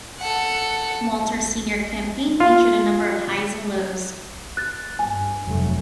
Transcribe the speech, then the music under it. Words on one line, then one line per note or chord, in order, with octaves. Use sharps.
Walter's senior campaign featured a number of highs and lows.
A4 F#5
F4
F#6 A6
G2 G#5
F1 F#3 A3